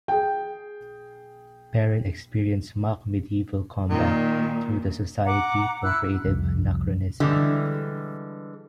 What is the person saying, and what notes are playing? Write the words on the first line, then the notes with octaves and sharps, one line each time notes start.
Perrin experienced mock medieval combat through the Society for Creative Anachronism.
G#4 G5
A#2 D#3
F#5 A#5 D6
E4 E6 F#6
C2 F2
D3 E3 G3 G#3